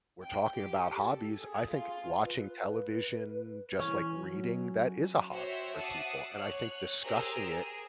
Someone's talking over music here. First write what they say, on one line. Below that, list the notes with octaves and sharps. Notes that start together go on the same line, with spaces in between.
we're talking about hobbies, I think watching television, just like reading, that is a hobby for people. And I think discussing it
G5
G4
A4
G#4
F4
B4
E3 C#4
F#3
F#4 C5 C#5 E5 G5
E5 F#5 A5 D6 D#6 C7
C#5 F#6
G4 G#4 A#4 C5 A#5 E6
G#4